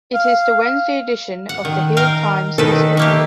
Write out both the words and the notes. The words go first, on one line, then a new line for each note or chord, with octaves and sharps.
It is the Wednesday edition of "The Hill Times" newspaper.
F5
F#5
D#3
A#4 F5 G5
D#3 A4 B4
A3 A#3 G4